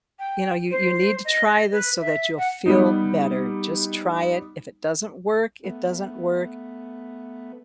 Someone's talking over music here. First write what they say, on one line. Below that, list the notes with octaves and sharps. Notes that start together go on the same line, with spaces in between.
"You know, you you need to try this so that you'll feel better. Just try it. If it doesn't work, it doesn't work.
G5
C5
D#5
B4
E5
F#5
G3 B3 D#4
A3 B3